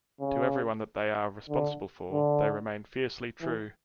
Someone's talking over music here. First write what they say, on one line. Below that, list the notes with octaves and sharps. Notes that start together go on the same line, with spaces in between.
To everyone that they are responsible for, they remain fiercely true.
C#3
D3
D3
E3